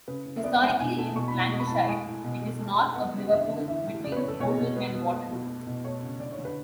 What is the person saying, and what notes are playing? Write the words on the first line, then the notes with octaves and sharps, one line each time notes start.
Historically in Lancashire, it is north of Liverpool, between Bootle and Waterloo.
C#3 B4
C#3
E5
B3 D5
E5
G#3 G#5
F#5
B2 G#5
A3
B2 C#6
B5
B2
C#6
G#3 C#6
B5
A5
A2 B5
G#3 G#5
A2
B2
G#3
A3
A3
B3 F#5
C#3
D3 E5
D3
E3 E5
A2
C#3 D5
B4
C#5
C#3
A4
B2 C#5
B2
G#3 B4
B3
A3
B2
A3
B2
A3 C#5
C#3
D3 D5
C#5
D3
B4